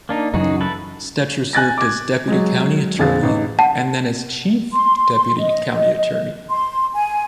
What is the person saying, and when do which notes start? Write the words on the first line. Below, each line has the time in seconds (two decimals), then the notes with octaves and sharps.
Stecher served as deputy county attorney and then as chief deputy county attorney.
0.09 A#3 D4 D#4
0.34 F#2 C#3 E3 D#4 F#4 G#4
0.60 E4 A4 B4
1.53 G#5 F#6 A6 A#6
1.78 D6 G#6
2.28 F#3 G#3
2.99 F2 D3 G#4 F5 A6
3.22 A1 D#4
3.59 F#5 A5
4.73 C6
5.39 D#5
6.50 C6
6.95 G#5